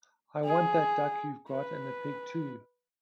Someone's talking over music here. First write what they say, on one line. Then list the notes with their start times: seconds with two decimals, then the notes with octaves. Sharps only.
I want that duck you’ve got — and the pig too.
0.45 G#4
1.50 B4